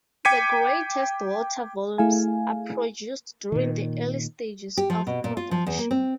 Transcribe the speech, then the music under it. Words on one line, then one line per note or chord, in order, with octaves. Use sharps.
The greatest water volumes are produced during the early stages of production.
G5 D6 G#6 B6 C#7 D#7
A3 E4 G#4 F5 G#5
A#2 D#3
G4
F3
B2
A#2
F4
F3
E2
A#3
C4